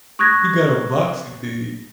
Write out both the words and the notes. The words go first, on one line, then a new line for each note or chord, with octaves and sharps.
You got a boxy thing.
C#6 D#6 F#6 G#6 A#6